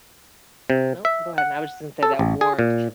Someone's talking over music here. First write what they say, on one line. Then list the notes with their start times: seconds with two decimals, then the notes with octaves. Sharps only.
no, go ahead, and I was just gonna say that warmth
0.70 C3
1.05 E5
1.38 F#5
2.03 A4
2.19 A1
2.41 G#4
2.59 A#2